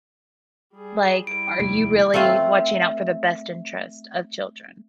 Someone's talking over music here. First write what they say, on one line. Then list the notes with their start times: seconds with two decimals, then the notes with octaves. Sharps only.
Like, are you really watching out for the best interest of children?
0.74 G3 G#4
1.27 G3 E4 D7
1.60 F1 D#2 A2
2.14 A3 C4 F4 F5